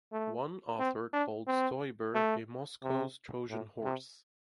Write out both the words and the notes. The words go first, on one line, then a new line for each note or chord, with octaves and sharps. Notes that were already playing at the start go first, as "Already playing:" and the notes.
One author called Stoiber a "Moscow's Trojan Horse".
A3
C4
D4
C4
A3
C3
A2
C3